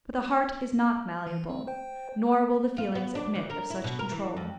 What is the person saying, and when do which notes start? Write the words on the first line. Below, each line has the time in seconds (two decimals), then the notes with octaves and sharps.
But the heart is not malleable; nor will the feelings admit of such control.
1.27 E3
1.49 C4
1.67 C5 G5
2.78 F4
2.95 B3
3.15 D4
3.35 D2
3.50 A#4
3.70 E4
3.84 B2
3.99 A#4
4.12 E3
4.37 F2